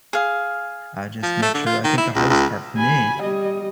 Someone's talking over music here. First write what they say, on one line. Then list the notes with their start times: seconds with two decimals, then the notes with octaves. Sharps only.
uh, just make sure I think the hardest part for me
0.13 G#4 F5
1.23 F3
1.42 A3
1.54 D3
1.66 F4
1.84 D#3
1.98 E4
2.15 C#2
2.30 C#2
2.78 G#5 B5
3.22 G3 D#5